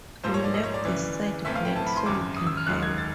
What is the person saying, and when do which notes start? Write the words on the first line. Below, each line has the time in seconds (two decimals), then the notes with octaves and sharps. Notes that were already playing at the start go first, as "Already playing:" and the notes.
We left this side blank so you can help.
0.24 A#1 G#2 F3 A#3 C5
0.34 C#5
0.44 D5
0.54 D#5
0.64 C#5
0.74 D5
0.84 D2 C#3 E3
1.45 B1 A2 E3 A3 C4 E5
1.55 F5
1.65 G5
1.76 A5
1.86 B5
1.97 C6
2.06 G#1 F#2 C#3 F#3 D6
2.37 D#6
2.46 E6
2.57 F6
2.67 F1 D#2 D#3 G#3 F#6
2.83 G#6
2.98 A6